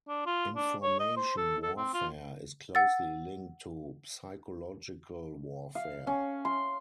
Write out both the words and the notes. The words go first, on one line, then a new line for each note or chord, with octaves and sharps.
Information warfare is closely linked to psychological warfare.
D4
F4
D4
C#5
D#5
C5
A4
A4
C4
F4
F#5 E6 A6
F5
C#4
C6